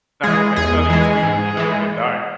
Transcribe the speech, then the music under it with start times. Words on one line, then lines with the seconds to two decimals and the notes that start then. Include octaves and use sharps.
that's what they study is food, you know, and, and diet.
0.23 E3 G#3 G#4
0.56 E2 G#4
0.90 E3 G#3
1.23 G#2
1.57 E3 G#3